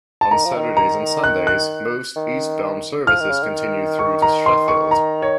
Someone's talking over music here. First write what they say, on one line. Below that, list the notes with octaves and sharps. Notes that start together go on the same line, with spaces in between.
On Saturdays and Sundays, most eastbound services continue through to Sheffield.
A5
D#3 A#5
F3
D#3
A#5
F#6
F#6
D#3
F3 F6
D#3
C#3
D#3
C#6
A#5
C6
C#6
A#5
C#5